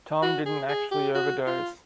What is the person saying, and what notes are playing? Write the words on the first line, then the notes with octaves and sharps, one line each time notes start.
Tom didn't actually overdose.
F#4
G#4
G#4
G4
F#4
F4